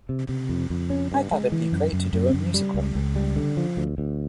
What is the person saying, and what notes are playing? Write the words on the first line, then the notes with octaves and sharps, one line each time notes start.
I thought it'd be great to do a musical.
C3
C3
F2
F2
C#4
G2
G#3
E3
F#2
F#2
F#2
F#2
G3
C#2
C#2
G3
D3
F3
D2
D2